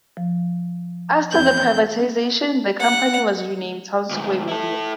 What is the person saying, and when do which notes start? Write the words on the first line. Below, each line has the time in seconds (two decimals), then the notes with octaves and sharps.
After the privatization, the company was renamed Townsquare Media.
0.17 F3
1.31 E2 C4 G6
2.79 F#5
4.11 D2 G#2
4.48 E4 A4